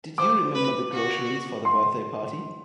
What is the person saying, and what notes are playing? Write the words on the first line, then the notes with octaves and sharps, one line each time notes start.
Did you remember the groceries for the birthday party?
C5 D6
B4
F#4
C6